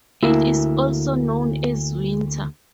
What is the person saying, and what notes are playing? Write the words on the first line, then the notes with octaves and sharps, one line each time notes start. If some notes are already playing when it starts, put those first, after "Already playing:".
It is also known as Winter.
D2 A#3 E4